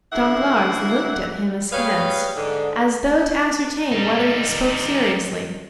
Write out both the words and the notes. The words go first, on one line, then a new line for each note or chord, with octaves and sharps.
Danglars looked at him askance, as though to ascertain whether he spoke seriously.
D2 A#3 E4 E5 F#5
G3 G#4 B4 C#5 F5
G#2 D3
G3 D#4